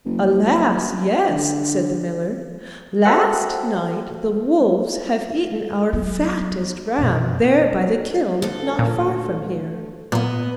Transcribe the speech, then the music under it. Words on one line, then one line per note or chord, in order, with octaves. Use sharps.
'Alas! yes,' said the miller, 'last night the wolves have eaten our fattest ram there by the kiln not far from here.'
F#1
D3
F#4 A4 C5 E5 F#5 G5
F#3 B3
F#2 B2
D2 A4
A#2
A#2 B3 D#5